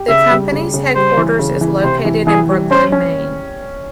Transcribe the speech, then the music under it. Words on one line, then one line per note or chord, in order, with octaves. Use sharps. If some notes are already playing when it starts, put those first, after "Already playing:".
The company's headquarters is located in Brooklin, Maine.
Already playing: G4
C#3 E5
G3
C#3
C#3
G3 C5
E3
C#3
E3
C3 C5
E3
E3 G#4
G3
C#4 C5
C#4